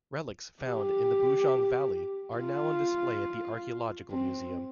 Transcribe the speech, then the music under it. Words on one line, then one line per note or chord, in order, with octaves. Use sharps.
Relics found in the Bujang Valley are now on display at the archaeological museum.
G4
F4
C4